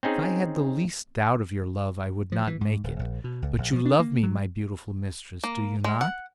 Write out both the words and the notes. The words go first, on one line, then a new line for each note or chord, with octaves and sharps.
"If I had the least doubt of your love I would not make it, but you love me, my beautiful mistress, do you not?"
C4 C#4 D#4 G#4
F3
E3
G#2
D1
A#1
B2
C#2
A#1
F3
D4
A#3
F#3
A#3
G#3
F#5